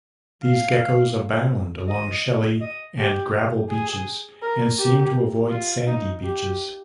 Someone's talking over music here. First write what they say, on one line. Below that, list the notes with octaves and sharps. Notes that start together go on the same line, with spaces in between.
These geckos abound along shelly and gravel beaches, and seem to avoid sandy beaches.
F5
D#5
D#5
G4
G#4
A#4
G4
F4
D#4
G4